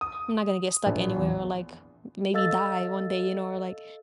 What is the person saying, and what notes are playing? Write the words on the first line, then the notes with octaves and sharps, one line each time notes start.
I'm not gonna get stuck anywhere or, like, maybe die one day, you know, or like,
D#6
A#1
E2
A4 D#5 F5 E6 A6